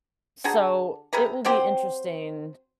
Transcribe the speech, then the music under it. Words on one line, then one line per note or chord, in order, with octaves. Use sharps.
So, it will be interesting.
D3 F#4 G#4 A#5
C3 G#4 B4 A#5
F#3 C4 G4 C5